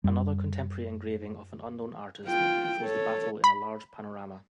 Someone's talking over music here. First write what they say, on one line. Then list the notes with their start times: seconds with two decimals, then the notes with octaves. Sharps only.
Another contemporary engraving of an unknown artist shows the battle in a large panorama.
0.04 F#2 G3
2.26 F4 G5
2.81 A4 C#5
3.44 B5